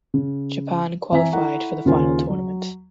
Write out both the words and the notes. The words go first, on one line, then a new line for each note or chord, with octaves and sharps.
Japan qualified for the final tournament.
C#3
E3 C4 E5 G#5 A#5 B6
E4 A4 F#5 A#5 C#6
D#2 C#3 A#3 F4 C5 G#5
F#3